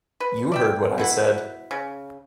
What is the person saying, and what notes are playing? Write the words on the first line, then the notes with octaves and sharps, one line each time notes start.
You heard what I said.
B4
D5 E5 G5
B2 E4 F#5
C#3